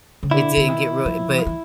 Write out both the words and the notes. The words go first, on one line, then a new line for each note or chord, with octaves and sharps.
It didn't get real but
C#3
D3 E4
D3
D#3
F3
E3
F3
E3